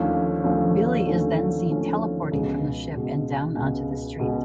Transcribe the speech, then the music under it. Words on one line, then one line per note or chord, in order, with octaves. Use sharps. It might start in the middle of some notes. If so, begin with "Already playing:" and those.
Billie is then seen teleporting from the ship and down onto the street.
Already playing: D#2 D3 F3 A3 C#4
D#2 D3 F3 A3 C#4
D#2 D3 F3 A3 C#4
D#2 D3 F3 A3 C#4
C#2 B2 G#3
C#2 B2 G#3
C#2 B2 G#3
C#2 B2 G#3